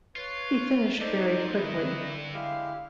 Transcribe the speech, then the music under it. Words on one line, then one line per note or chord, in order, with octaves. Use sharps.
He finished very quickly.
F4 B4 C#5
G2 D#4 A4 C5 D5
D3 D#3 E4 B4 D#5
G#3 E4 G4 F5